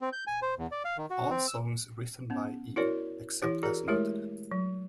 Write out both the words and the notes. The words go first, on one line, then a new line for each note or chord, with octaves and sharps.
All songs written by E, except as noted.
C4
G6
G#5
C5
E2
D5
F5
D#3
F#4
C4
E6
B3 C#4
E4 F#4 A#4 C#5 D5
E3 E4 G4 C#5
F#4 G#4 A#4 D5 A#5
G#3 A3 E4 G4 A#4 C#5
F#3